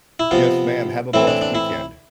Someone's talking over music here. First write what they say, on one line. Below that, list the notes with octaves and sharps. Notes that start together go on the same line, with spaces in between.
Yes, ma'am, have a blessed weekend.
E4
C3 F3 B3 F4
A2 E3 A3 C4 E4
D4
D4
E4